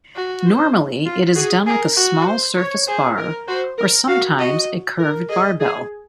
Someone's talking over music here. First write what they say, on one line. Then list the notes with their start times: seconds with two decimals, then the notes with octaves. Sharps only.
Normally it is done with a small surface bar or sometimes a curved barbell.
0.15 F#4
0.45 C5
1.06 F4
1.36 F#4 G#4
1.66 G#4 A#4
1.96 F#4
2.27 C5
2.57 C#5
2.87 G#4 C5
3.17 A#4
3.48 F#4 C5
3.78 A#4
4.08 F#4 F5
4.38 F#4 D#5
4.99 A#4
5.29 G#4 D#5
5.60 G#4